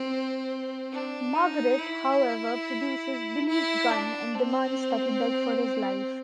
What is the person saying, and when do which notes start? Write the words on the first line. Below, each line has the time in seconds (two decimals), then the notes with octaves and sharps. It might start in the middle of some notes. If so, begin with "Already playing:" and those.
Margaret, however, produces Billy's gun and demands that he beg for his life.
Already playing: C4
0.93 D4
1.36 D#4
1.79 E4
3.49 E4
3.91 D4
4.34 C4